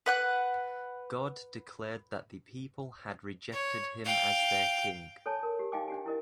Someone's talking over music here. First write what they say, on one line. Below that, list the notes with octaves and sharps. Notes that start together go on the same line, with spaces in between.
God declared that the people had rejected him as their king.
B4 F#5 F#6
C#5
F5 G5
A4 C#5 G#5 A5
A#4
G4
D#4 D#5 F5 G5 G#5 D6
D4 G4 G#5
E4 A#4 D#5